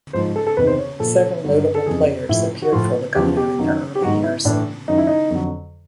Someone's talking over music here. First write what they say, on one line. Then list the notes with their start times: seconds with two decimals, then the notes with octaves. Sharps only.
Several notable players appeared for Legnano in their early years.
0.13 G#2 F3 C5
0.36 A4
0.47 A4
0.57 E2 C3 D#3 B4
0.67 C5
0.78 C#5
1.00 A#2 F3 A4
1.44 G2 D3 F#3
1.75 A4
1.86 F2 C#3 E3 G#4
2.29 A2 F3 E4
2.62 F#4
2.72 A2 F3 F4
3.15 E2 C#3 F3 G4
3.37 G4
3.59 F#2 D#3 F#3
3.95 G4
4.01 G#2 D#3 F#3 F#4
4.23 E4
4.45 A2 E3 D4
4.88 F#2 D#3 F#3 D#4
4.98 E4
5.07 D#4
5.31 F2 D3 F#3